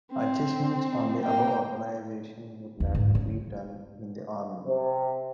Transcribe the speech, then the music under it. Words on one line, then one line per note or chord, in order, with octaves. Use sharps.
Adjustments on the above organization would latter be done in the Army.
C4
A#3 G5
E2
G#2
C#3
C3